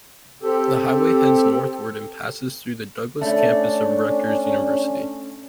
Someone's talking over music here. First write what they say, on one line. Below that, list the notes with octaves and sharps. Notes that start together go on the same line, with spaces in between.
The highway heads northward and passes through the Douglass Campus of Rutgers University.
C4 G4 A4
A3 C#4 D4